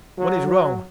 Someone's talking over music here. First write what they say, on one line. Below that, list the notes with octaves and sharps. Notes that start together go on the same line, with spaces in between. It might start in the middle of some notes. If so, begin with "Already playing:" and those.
What is wrong?
F#3
F#3